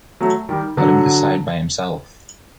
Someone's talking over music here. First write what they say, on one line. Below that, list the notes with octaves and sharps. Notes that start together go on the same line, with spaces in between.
Let him decide by himself.
F#3 A3
D#3 G3
D3 F#3